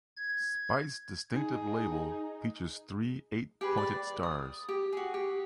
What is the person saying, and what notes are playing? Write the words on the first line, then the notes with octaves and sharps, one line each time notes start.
Speight's distinctive label features three eight-pointed stars.
G#6
D#4 G#4
G4 G#4 B4
D5
D#6
G4
F#4 G#4
G4